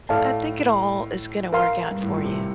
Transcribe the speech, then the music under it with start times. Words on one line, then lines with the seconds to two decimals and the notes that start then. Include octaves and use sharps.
I think it all is gonna work out for you.
0.09 A2 A4 D5 F5 A5
1.53 A#4 F5 C6
1.91 G2
2.02 A2
2.14 A#2
2.24 C3